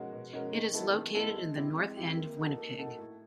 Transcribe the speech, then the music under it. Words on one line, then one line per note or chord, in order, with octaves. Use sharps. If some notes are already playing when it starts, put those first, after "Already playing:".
It is located in the north end of Winnipeg.
Already playing: B2 G#3 C#4 F#4 A#4
B2
G#3 C#4 F#4 A#4
D#3
G#3 B3 E4 A4
D#3
G#3 B3 E4 A4
G#3
C4 E4 G4
G#3
C4 E4 G4
A#3
D#4 F#4 A4
A#3
D#4 F#4 A4
A2